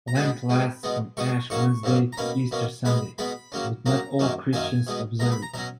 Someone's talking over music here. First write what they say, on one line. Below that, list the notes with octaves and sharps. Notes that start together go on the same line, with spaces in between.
Lent lasts from Ash Wednesday to Easter Sunday, but not all Christians observe it.
A#5
B2 G#3 B3 B5
B2 G#3 B3
B2 G#3 B3
B2 G#3 B3 C#6
G#2 F#3 A#3 C#4 C#6
G#2 F#3 A#3 C#4
A#5
B2 A#3 C#4 B5
B2 A#3 C#4
B2 G#3 B3 B5
B2 G#3 B3 B5
C#3 F#3 A#3 C#4
C#3 F#3 A#3 C#4 A#5
F#2 D#3 F#3 A#3 C#4
F#2 D#3 F#3 A#3 C#4 G#5
B2 G#3 B3
B2 G#3 B3 A#5
B5
A#5
B2 F#3 C#4 A#5